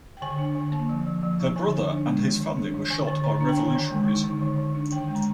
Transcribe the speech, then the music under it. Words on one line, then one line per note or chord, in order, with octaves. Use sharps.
Her brother and his family were shot by revolutionaries.
G5
D3 G#5
D4
D3
A#3
F3
F3
F3
D#4
D3 G#5
D3
D4
G#3
D#3
D#3
D4
D#3
D3 G#5
D3
D3 A#5
D4
G5
D#3 G#5
D#3
G#3
D#4
D3
D3
D3
D4
D#3 G5
G#3
A#5